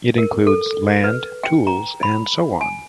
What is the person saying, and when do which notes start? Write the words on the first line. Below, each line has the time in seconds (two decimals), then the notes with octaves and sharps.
It includes land, tools, and so on.
0.18 A#4
0.47 A4
1.04 B4
1.44 G5
1.67 A#5
2.03 B5
2.61 G#5